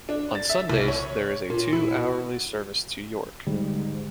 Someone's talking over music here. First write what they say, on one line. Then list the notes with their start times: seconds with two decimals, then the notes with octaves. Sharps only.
On Sundays there is a two-hourly service to York.
0.09 D4
0.35 A6
0.49 E5
0.70 C2
0.88 C#5
1.50 A#2
1.73 E4
1.95 F#4
3.47 G#2 D3 G3 G#3